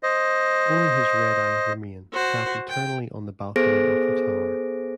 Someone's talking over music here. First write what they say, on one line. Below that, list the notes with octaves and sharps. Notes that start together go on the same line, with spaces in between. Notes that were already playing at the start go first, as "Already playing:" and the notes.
Only his red eyes remain, trapped eternally on the balcony of the Tower.
C5 D#5
F#4 C5
G5
B3 G#4 A4 C5 A#6 D7